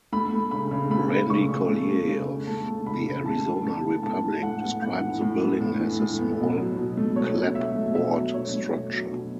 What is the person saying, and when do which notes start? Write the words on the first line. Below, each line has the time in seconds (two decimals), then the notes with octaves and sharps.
Randy Collier of "The Arizona Republic" described the building as "a small clapboard structure".
0.12 A3 B5
0.33 A3
0.51 C#3 B5
0.71 C#3
0.90 A3 B5
1.11 A3
1.30 C#3 C#6
1.49 C#3
1.69 A3
1.88 A3
2.08 C#3
2.28 C#3
2.47 A3 A5
2.67 A3
2.86 C#3 B5
3.06 C#3
3.25 A2 A5
3.45 E3
3.64 A2 A5
3.83 B3
4.03 A2 A5
4.24 E3
4.43 A2 F#5
4.63 B3
4.82 A2 F#5
5.01 E3
5.21 A2
5.41 B3
5.61 A2
5.80 E3
6.00 A2
6.19 B3
6.39 B2
6.58 F#3
6.77 B2
6.97 A3
7.16 B2 C#5
7.36 F#3
7.55 B2 E5
7.75 A3
7.95 B2 E5
8.15 F#3
8.34 B2 C#5
8.54 A3
8.73 B2
8.93 F#3
9.11 B2